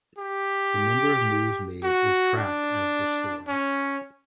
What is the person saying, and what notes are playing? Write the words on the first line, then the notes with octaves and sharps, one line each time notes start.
The number of moves made is tracked as the score.
G4
F#4
D4
C#4